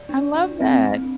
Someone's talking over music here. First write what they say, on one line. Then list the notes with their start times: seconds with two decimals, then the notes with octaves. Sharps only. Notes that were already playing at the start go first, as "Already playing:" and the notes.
I love that.
Already playing: D5
0.09 D4
0.35 D4
0.60 C4
0.85 C4